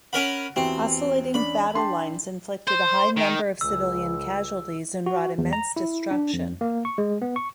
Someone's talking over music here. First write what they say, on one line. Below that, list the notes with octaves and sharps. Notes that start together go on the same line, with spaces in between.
Oscillating battle lines inflicted a high number of civilian casualties and wrought immense destruction.
C#4 A#4 F#5 B5
E2 C4 E4 F#4 G4
C#4 D4 D5 B5
D4 G5 A5 C6
C5
D#3
C#2 E6
F#4
E2
A#5
E4
D4
F2
A#3
C#6
G#3
B3
C#6